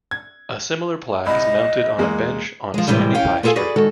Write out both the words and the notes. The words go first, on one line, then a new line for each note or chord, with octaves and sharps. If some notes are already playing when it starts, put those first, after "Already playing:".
A similar plaque is mounted on a bench on Sandy High Street.
G#6
C2 D#5 B5
E2 G#3 A#3
F3 G#3
A2 C3 D#3 E3 G3 G#3
C#4 F5 G5
B3 F4 G#4 A4 F5 G#5
F#4 G#4 B4 D5
D#3 G#3 F#4 A4